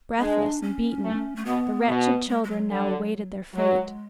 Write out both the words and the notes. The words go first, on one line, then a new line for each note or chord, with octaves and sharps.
Breathless and beaten, the wretched children now awaited their fate.
G#3 D4
C#4
A3
A3
B2 B3
B2
G#3
G#3
F#3
D3
F#3 G#3